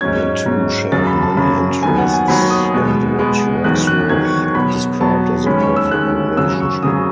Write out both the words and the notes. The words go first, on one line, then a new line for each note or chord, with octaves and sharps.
The two shared many interests and what Rexroth described as a perfect relationship.
G#2 F#3 C#4 G#6
G#2 F#3 C#4
F#2 C#3 F#3 A6
B5
A5
F#2 C#3 F#3 B5
D#2 D#3 F#3 B3 G#5
F#5
G#5
D#2 D#3 F#3 B3 B5
D#6
B2 G#3 B3
B2 G#3 B3
E2 D#3 F#3 F#6
F#6
E2 D#3 F#3 G#6
C#6
C#6
B2 F#3 B3 B5
B2 F#3 B3 A5
D#2 D#3 G#3 C#4 B5
C#6
E6
D#2 D#3 G#3 C#4 F#6
F#2 C#3 F#3 E6
C#6
F#2 C#3 F#3 D#6